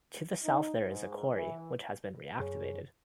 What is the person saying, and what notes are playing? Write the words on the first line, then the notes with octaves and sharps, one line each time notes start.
To the south there is a quarry, which has been reactivated.
D#4
G#2
E3
F#2 G#4 C#5